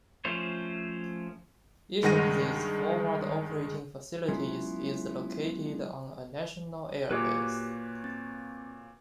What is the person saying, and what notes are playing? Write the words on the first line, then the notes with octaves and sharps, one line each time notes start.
Each of these forward operating facilities is located on a national airbase.
F3 A3 C#4 C5 C#5
G2 D#3 G#3 F#5 A#6 D#7
F#3 G#3 B3 C#4 E4 F4
A#2 A#3 F#4 G4 B4 C#5 D6
C4 A6